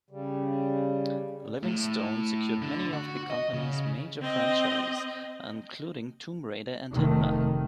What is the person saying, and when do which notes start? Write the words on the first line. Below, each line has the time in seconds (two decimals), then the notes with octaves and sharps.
Livingstone secured many of the company's major franchises, including "Tomb Raider" and "Hitman".
0.10 C#3 G3
1.63 A2
2.62 D3
2.93 F#4
3.30 D#5
3.53 C#3
4.21 C4 D#5
6.94 F1 D#3 A3